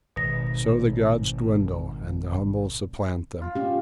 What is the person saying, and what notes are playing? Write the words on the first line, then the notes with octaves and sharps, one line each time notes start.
So the 'gods' dwindle and the humble supplant them.
G#1 B2 A#6
F4
C#4 G4